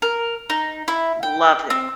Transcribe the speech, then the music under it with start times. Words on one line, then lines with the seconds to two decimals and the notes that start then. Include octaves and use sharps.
Love it.
0.02 A#4
0.50 D#4
0.88 E4
1.23 G5
1.70 C4